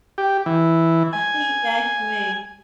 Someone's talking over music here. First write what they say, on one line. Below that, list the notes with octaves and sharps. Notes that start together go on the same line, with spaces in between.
I hate vacuuming.
G4
E3
G#5